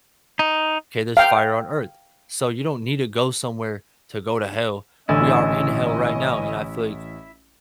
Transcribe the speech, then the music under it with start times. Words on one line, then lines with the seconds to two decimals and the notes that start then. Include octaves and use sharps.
'Kay, there's fire on earth, so, you don't need to go somewhere to go to hell. We are in hell right now and I feel like
0.39 D#4
1.17 F5 G5
5.09 A1 D3 C#4 E4 D#5 E5 G#5 A6